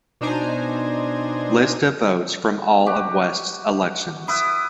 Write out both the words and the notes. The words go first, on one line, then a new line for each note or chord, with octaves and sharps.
List of votes from all of West's elections.
B2 D4 D#4 C5 G#5 A#5
F#4 G4
E4 B4 D#6